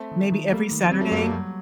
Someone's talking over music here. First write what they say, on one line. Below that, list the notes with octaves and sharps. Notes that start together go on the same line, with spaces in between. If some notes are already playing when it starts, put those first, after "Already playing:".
maybe every Saturday
Already playing: A3 C4
D#3
D#3
G3 A3 A#3
D#3
F#3
G3 C4
F#3 A3
F#2 G3 A#3
F#3 A3
F#3 G3